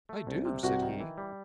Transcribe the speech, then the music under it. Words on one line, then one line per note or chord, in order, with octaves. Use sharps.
"I do," said he.
A3
C2
C3
C2 F#4
D#3
E3
G3